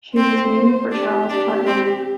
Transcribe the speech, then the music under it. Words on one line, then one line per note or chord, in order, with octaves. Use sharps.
She was named for Charles Putnam.
C4 C5
D4 G4
D4
C4